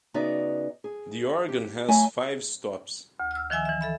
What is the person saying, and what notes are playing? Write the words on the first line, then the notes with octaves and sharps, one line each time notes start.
The organ has five stops.
C#3 B3 D#4 F#4 D5 E5
G#4
G4
F#3 A3 G#5
D2
E6 F6
D#3 F3 E5 G#5 E6
E3 E5
A4 E5 B5